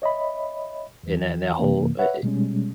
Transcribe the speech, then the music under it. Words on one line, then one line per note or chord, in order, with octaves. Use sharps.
in that that whole, eh eh
C#5 D#5 E5 B5
E2 E3
F#2 C3 E3 A#3
B4 C#5 E5 F#5
B2 G3 G#3 C#4